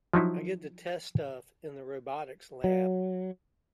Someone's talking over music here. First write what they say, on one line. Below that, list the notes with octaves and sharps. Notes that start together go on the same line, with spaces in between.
I get to test stuff in the robotics lab.
F3 F#3 D#4 E4
F#3